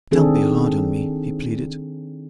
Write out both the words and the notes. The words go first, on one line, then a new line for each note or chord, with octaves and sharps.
"Don't be hard on me," he pleaded.
D#3 C4 D4 G#4 A4